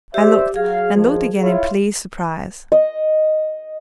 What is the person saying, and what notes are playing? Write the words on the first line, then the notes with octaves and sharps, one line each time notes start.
I looked, and looked again in pleased surprise.
G4 C5 D5 E5
F#3 G#4 F5
D#2 F3
E4 F4 C#5
D#5